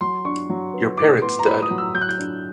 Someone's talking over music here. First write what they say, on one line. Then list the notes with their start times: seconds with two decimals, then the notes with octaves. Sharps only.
Your parrot's dead.
0.01 F#3 C6
0.25 D4 C#6
0.50 F#3
0.74 B3
0.98 A2 D6
1.22 B3 C6
1.39 A#5
1.46 A2 B5
1.62 D#6
1.71 F#3
1.78 E6
1.94 F#3 G6
2.01 F#6
2.09 G6
2.19 D4